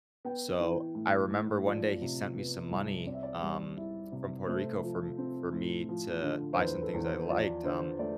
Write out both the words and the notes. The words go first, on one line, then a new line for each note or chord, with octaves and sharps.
so, I remember one day he sent me some money, um, from Puerto Rico, for m for me to buy some things that I liked, um,
B3 G5
E3
A2
A2
F3 D5
C3
B3
C2
C4 D5
E5
D5
G3
E4
C3
A3 C5
F3
C4
A2
F3
D3
C5
E2 B4
B4
A4
E2
C5
F3 D5
D3 C5
A3 D5